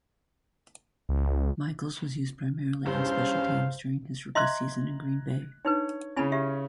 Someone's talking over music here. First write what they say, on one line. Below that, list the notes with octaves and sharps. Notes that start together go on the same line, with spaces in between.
Michaels was used primarily on special teams during his rookie season in Green Bay.
C#2
E2 G2 C#4 C5 F5
D#5 E5 A#5 C6 F#6 G#6
D4 D#4 B4 C#5
C#3 C#4 E4 G#5 B5
G4 E5